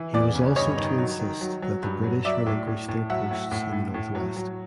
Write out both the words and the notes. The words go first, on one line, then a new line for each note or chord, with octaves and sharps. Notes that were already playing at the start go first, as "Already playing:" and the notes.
He was also to insist that the British relinquish their posts in the Northwest.
Already playing: E3
E2 D5
C#3
G2 C#5 D#5
D#3
F#3
D#3
F#3
F#3
G2
F#3
F#3 D5 E5
A2
A2
A2
F#3 E5 F#5
A2
A2
A2
A2
F#3
F#3